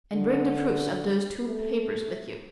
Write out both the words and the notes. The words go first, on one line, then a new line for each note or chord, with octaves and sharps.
And bring the proofs of those two papers with you.
D3
A3